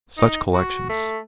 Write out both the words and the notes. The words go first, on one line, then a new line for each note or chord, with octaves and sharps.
Such collections!
D#4
F#4
A3